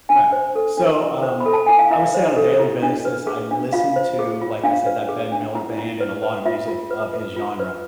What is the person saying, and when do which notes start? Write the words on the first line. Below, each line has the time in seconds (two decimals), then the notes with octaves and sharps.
Right. So, um, I would say on a daily basis, I listened to, like I said, The Ben Miller Band and a lotta music of his genre,
0.09 D4 G#5
0.32 C5
0.55 A4
0.77 D4
1.00 E4
1.23 C5
1.40 B5
1.46 A4
1.53 A5
1.66 E4 G#5
1.79 F5
1.91 E4 E5
2.14 C5
2.37 A4
2.60 E4
2.83 D4
3.05 B4
3.27 G#4
3.51 D4
3.73 F4 F5
3.96 C5
4.19 G#4
4.41 F4
4.64 D4 F5
4.86 B4
5.09 G#4
5.32 D4
5.55 E4
5.78 E4
6.00 B4
6.23 B4
6.45 F4 E5
6.68 F4
6.91 B4
7.13 B4
7.36 F4
7.60 B4